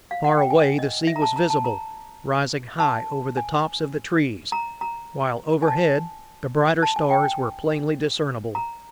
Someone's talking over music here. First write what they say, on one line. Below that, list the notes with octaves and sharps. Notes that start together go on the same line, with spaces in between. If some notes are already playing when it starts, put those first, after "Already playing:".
Far away the sea was visible, rising high over the tops of the trees, while overhead the brighter stars were plainly discernible.
F5
F#5
G5
G#5
D#5
E5
A#5
A5
A#5
A5
A#5
A5
G#5
A#5
A#5
G#5
A5
A5
G#5
G5
G#5
A#5